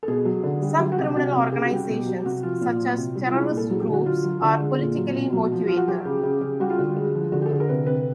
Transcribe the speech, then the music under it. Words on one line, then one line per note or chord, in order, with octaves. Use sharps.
Some criminal organizations, such as terrorist groups, are politically motivated.
A4
B2 G#4
F#3
D3
G3
F#3 G4
F#4
C3 G4
C3 F#4
C3 G4
C#3 G4
F#4
G3 G4
B2
F#3
C3 F#4
F3 F4
A#2 F4
F#3
C3
G3
F4
G#3 E4
A#2
A4
F#3 G#4
G4
D3
F#4
F#3 F4
F#3
D3
G#3
A#2 F4
F#3
B2
F#3
F3
F3 F4
F#4
F#3 G4
C#3
C#3
C#3
G3 F#4
F4
D3 F#4
G#3
F3
D3 F#4
G4 A4
D3 G#4
A#4
C3 B4
C3 B4